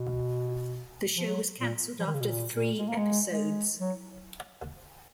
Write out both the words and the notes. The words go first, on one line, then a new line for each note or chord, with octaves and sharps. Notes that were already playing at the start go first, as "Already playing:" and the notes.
The show was cancelled after three episodes.
Already playing: B2
F3
F#3
A#2
F3
D#3
C#3
B2
A#2
A#2
G#3
A#3
G#3
G#3
F#3